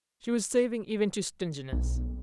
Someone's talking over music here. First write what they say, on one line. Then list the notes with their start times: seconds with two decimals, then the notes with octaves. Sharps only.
She was saving even to stinginess.
1.73 B1